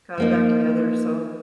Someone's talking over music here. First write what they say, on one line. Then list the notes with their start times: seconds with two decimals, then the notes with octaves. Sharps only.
got it back together, so
0.18 F3 A#3 D#4